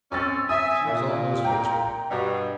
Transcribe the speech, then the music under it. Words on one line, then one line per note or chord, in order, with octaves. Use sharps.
She was almost whispering.
C4 C#4 C#6 E6 A6
E5 G#5 D#6
A#2
G5 A#5
G2 B2